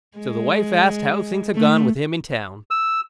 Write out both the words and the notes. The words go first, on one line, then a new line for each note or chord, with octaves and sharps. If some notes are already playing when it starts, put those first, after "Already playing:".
So the wife asked how things had gone with him in town?
G#3
A3
E6